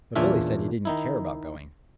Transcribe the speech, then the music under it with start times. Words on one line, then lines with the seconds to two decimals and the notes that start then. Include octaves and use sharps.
But Billy said he didn't care about going.
0.15 E2 A#2 C#4 D4 F4 E5
0.85 D#3 D#4 E4